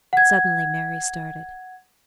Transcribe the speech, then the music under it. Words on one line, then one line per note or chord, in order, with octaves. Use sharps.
Suddenly Mary started.
F#5 G#6